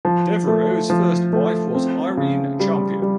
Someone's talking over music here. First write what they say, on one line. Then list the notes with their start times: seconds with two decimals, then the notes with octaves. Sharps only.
Devereaux's first wife was Irene Champion.
0.05 F3
0.48 A3
0.90 F3
1.33 A3
1.75 C4
2.17 C#3
2.60 G3
3.02 G3